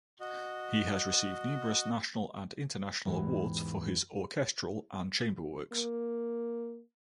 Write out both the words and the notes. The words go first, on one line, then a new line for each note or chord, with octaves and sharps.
He has received numerous national and international awards for his orchestral and chamber works.
F#4 D#5
E2 G#2 E3 F#4 G4
A#3